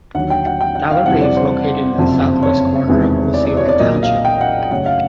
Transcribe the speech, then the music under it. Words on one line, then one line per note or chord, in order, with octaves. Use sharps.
Dollar Bay is located in the southwest corner of Osceola Township.
D#2 D3 F#3 F#5
G5
F#5
G5
F#5
F5
F2 C3 E3 G3 C4 F#5
D5
C5
F#1 F2 C3
C#5
E2 C3 D#3 G#3 B3
D5
D5
C#5
D5
B1 A#2 F#3 A#3 D#5
F5
G5
F#5
F#2 C#3 F#3 A3 F#5
F5